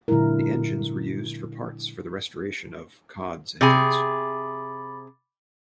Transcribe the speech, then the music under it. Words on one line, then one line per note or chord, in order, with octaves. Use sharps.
The engines were used for parts for the restoration of "Cod"'s engines.
A#2 D3 F#3 G#3 E4 A#4
C3 G#4 B5 D6 A6